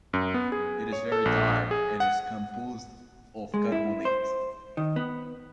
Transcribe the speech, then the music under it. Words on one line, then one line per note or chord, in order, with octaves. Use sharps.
It is very dark and is composed of carbonates.
F#2
B3
G#4
C#5
A4
A#1
G#4
F#5
G#3
E4
C5
D#3
B3